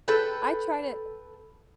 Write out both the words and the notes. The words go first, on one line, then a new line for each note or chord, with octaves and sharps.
I tried it
A4 B4 G5